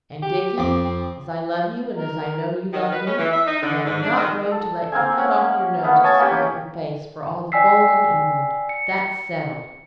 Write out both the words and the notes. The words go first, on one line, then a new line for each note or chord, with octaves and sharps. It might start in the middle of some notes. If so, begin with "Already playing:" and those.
And, Dickie, as I love you and as I know you love me, I am not going to let you cut off your nose to spite your face for all the gold in England. That's settled.
G4
F2 C4 D6
C4
A#4
D#3
B4
C#4
E3
E5
D#4
D3
G#2
D4
D#3
A4
A#3 C4 F5 G#5
C#4 F#5
A3 B3 F5
C#5 D#5 G#5 A5
A#3 C#4 G4
D5 G5 G#5 E6 B6 C7
C#7